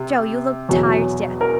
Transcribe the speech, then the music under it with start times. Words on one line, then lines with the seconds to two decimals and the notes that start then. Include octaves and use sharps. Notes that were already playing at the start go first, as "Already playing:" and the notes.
Jo, you look tired to death.
Already playing: C3
0.69 E2 B2 F#3
1.41 A#4